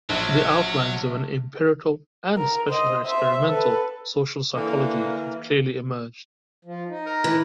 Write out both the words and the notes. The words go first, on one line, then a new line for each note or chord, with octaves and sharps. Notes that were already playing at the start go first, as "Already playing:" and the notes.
The outlines of an empirical, and especially an experimental, social psychology have clearly emerged.
A#1 F#3
A#4
C5 D#5
C5 E5
A4 B4
D3 E3 A#3
F3
D#4
A#4
E3